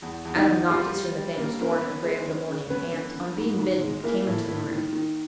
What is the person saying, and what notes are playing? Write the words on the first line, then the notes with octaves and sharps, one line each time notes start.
Adam knocked at Sir Nathaniel's door in the grey of the morning, and, on being bidden, came into the room.
E2
E2
D#3 D#4
E2
F3 G3 F4
G3
G3
D3 A#3 A#4
F#2 A#4
B3 B4
F#2
G#3
F#2
C#3
F#2 B3 B4
D3
D3
G#2
G#2
G#3
E3 A#3 A#4
A2
A2
D#3
D#3